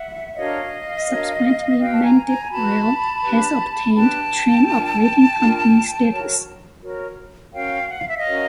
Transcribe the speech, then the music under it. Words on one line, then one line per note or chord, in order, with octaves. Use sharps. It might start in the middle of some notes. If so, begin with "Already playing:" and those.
Subsequently Mendip Rail has obtained train operating company status.
Already playing: E5 F#5
D4 F#4 A#4 C#5 D#5 F5
D4 F#4 A#4 C#5
F#4 B4 F5 G5
A5
G#5 A#5
G#5 A#5
A#5
F#4 B4 A5 B5
D4 G4 B4
D4 G4 B4 G5 A5
D4 F4 A#4
D4 F4 A#4
F#4 A#4 C#5
F#4 A#4 C#5
C#4 F#4 A#4 C#5 F5 G5
F#5
F5
E5
D#5 F5
C#4 F#4 A#4 C#5